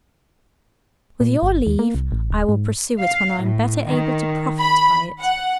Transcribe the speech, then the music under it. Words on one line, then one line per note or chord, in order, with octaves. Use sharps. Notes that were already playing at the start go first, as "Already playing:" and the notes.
With your leave, I will pursue it when I am better able to profit by it.
A#2
G1
D#2
A#3
C2
A1
D1
G#2
F5
A2
D#3
B5
F#5